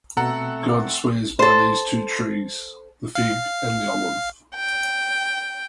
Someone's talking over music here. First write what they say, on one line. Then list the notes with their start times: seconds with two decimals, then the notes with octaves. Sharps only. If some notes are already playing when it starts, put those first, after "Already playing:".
God swears by these two trees, the fig and the olive.
0.17 B2 A3 C4 A4 F#5 A#5
1.39 A4 C5
3.15 F5
4.55 G5